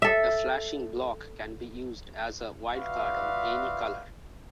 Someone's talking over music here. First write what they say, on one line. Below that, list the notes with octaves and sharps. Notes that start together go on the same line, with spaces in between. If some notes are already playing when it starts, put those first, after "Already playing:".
A flashing block can be used as a wildcard on any colour.
A4 E5
F4 F#4 B4 D5 E5 F5